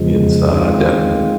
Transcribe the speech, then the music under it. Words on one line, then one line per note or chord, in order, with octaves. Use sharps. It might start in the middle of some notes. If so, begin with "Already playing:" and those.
it's, uh, definite
Already playing: F2 C#3 F3 G#3
D#3 G#3 C4 F4